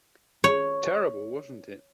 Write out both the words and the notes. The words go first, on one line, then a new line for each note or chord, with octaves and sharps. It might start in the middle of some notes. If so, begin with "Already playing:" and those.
Terrible, wasn't it?
C#5